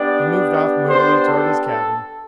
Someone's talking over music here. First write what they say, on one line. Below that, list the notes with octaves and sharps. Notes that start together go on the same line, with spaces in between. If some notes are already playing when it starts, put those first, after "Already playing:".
He moved off moodily toward his cabin.
Already playing: B3 D4 G4 D5
C5
A4
A4